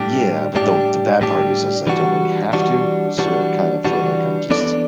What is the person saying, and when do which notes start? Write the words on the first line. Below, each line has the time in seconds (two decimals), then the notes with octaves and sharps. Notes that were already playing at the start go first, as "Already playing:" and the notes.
Yeah, but the the bad part is is I don't really have to, so I kinda feel like I'm just
Already playing: A2 G3 D4 G4
0.55 A2 G3 D4 G4
1.21 A2 G3 D4 G4
1.87 E3 G3 D4 F#4
2.53 E3 G3 D4 F#4
3.18 E3 G3 D4 F#4
3.85 E3 G3 D4 F#4
4.50 E3 B3 D4 A4 D5